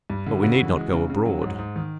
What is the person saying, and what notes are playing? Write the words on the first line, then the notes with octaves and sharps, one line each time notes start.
But we need not go abroad.
G2
D3
C#3 E4 F#4
E3
G#3
C#3
C#3
F#3
G#2
G#2
D#3